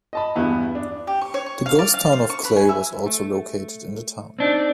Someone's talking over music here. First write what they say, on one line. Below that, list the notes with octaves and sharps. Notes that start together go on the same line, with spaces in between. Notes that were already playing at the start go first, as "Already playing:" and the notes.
The ghost town of Clay was also located in the town.
D#5 A5 B5
E2 G2 B3 E4
D4
G4
C#6
C#5
C#6
F5
D5
F5
C5
C#6
B4
G#5
E5
A3
C4 D4 D#4